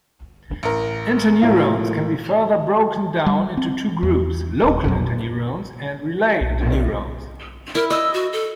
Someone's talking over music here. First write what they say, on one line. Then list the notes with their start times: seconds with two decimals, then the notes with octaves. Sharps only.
Interneurons can be further broken down into two groups: local interneurons, and relay interneurons.
0.63 A1 A#4
1.41 A2 F3 A#3
3.26 G3
3.57 C4
4.03 E2
4.64 D#1
4.84 A#1 F2 B2 F#3
6.41 B1
7.75 E4 A#4
7.90 D#5 E6
8.14 F#4
8.33 A4